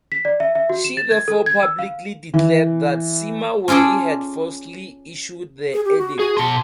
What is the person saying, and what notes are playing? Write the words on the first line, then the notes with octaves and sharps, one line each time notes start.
She therefore publicly declared that Sima Wei had falsely issued the edict.
B6
D5
E5
E5
F#4
E7
A6
G#6
A4
G#6
E6
F5
E3
C#4 F4 G#4 A4 D5
G#4
G4
F#4
F#4 G#4
B2 A5 C6